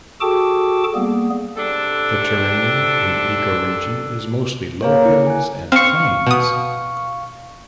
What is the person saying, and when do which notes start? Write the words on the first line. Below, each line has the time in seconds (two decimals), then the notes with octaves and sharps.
The terrain in the ecoregion is mostly low hills and plains.
0.21 F#4 G#4 A4 G5 A5 D6
0.95 G3 A#3 B3 G#4
1.57 C3 D4 A4
4.83 A#3 C#5 A#5
5.05 E4
5.27 G#5 F#6
5.72 C4 F5 C#6
6.27 B2 D#6